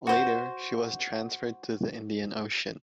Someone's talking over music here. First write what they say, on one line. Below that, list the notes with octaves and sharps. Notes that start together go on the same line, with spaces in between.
Later, she was transferred to the Indian Ocean.
F#4 C5